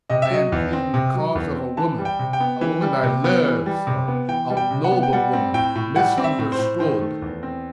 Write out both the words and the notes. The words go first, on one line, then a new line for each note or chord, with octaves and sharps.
I am pleading the cause of a woman, a woman I lurve, sorr--a noble woman--misunderstood.
C3 D#5
E5
F#3 D#5
E2
C4
C3
F#3
E2
C4
E3 A5
G3
G5
C3
G5
B3
E3
G3
C3
B3
E3
G3
C3
B3
E3 G5
G3
G5
C3
F#5
B3
G5
G3 F#5
C4
A2 G5
A2
G3 F#5
C4
E5
A2
C5
A2
D#3 C5
A3
E2
C4